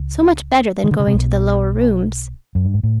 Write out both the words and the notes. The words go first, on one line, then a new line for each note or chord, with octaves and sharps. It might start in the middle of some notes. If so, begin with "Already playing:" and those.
So much better than going to the Lower Rooms.
Already playing: C#2
D#3
D3
C#3
C3
B1 B2
F#2
G2
G#2
A2